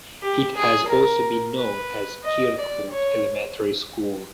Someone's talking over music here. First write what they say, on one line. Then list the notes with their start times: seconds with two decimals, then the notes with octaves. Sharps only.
It has also been known as Kirkwood Elementary School.
0.23 G4
0.56 G#4
0.89 A#4
1.57 B4
2.24 D#5
2.58 D5
2.91 C#5